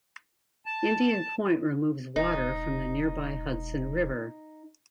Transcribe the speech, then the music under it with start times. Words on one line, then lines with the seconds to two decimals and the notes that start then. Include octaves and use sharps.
Indian Point removes water from the nearby Hudson River.
0.66 A5
2.16 E1 D#4